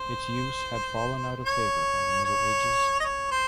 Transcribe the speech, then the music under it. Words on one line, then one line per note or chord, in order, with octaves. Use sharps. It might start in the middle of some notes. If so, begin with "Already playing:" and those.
Its use had fallen out of favour by the Middle Ages.
Already playing: C5
C#5
C#5
D#5
C#5
C5